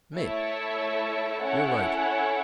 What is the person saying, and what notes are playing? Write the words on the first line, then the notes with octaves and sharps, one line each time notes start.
ME: You're right.
A3 E4 C#5 E5 A5
C#4 E4 A4 C#5 F#5